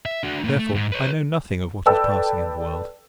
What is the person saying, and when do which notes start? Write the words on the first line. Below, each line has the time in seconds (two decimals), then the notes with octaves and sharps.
Therefore, I know nothing of what is passing in the world.
0.06 E5
0.24 D4 F#4
0.44 A2 A#3
0.59 A3
0.74 G#2
0.92 B4 C#5
1.86 A4 B4 D5 G5 A5 E6